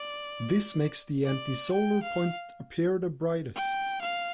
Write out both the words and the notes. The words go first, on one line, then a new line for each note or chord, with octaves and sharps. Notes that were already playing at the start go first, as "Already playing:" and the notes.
This makes the antisolar point appear the brightest.
Already playing: D5
D5
G5
F5
G5
F5